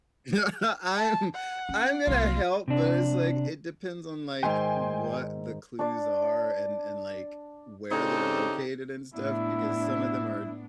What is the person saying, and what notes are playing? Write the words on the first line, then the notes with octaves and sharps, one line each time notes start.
Yeah, I'm I'm gonna help, but it's, like, it depends on, like, what the clues are and and, like, where they're located and stuff, because some of them are
A5
F#5
C#4
C2 A#3 F4
C3 D4
G#2 D#3 G5 G#5 C6
D4 D5
C#3 C4 D4 D#4 G4 A4
A2 B3 D4 E4